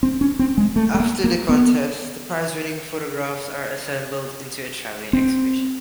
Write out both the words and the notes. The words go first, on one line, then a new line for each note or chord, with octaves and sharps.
After the contest, the prizewinning photographs are assembled into a travelling exhibition.
C4
C#4
C4
G#3
A3
A3
A#3
A#3
B3
C4